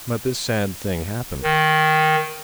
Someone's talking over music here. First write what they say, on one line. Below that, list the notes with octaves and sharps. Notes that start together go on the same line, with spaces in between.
But this sad thing happened.
D#3